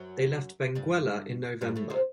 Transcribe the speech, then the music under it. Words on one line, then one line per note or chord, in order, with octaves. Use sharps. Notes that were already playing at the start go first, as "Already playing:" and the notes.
They left Benguela in November.
Already playing: F#2 F#3
G2 G3
G2 G3
A2 A3
C3 C4